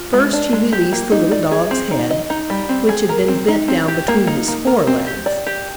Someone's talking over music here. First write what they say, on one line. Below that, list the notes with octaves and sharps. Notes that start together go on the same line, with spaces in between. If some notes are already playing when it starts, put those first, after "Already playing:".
First he released the little dog's head, which had been bent down between his fore legs.
Already playing: F4
G#3
D4
G#3
G4
A#3
D#4
D5
G#4
C4
D#4
D#5
D#4
G3
C4
G#4
A#4
C4
D#4
C4
G4
A#3
D#4
A#3
A#4
C4
G4
D5
G4